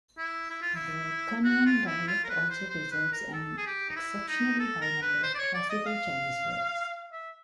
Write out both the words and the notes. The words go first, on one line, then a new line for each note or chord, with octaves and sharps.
The Kunming dialect also preserves an exceptionally high number of classical Chinese words.
E4
E4
F4
E4
F#4
F4
E4
F4
A#4
B4
C5
C5
B4
A#4
A4
G#4
G4
D#4
E4
D#4
A4
A#4
B4
C5
D5
C#5
D5
D#5
F5
E5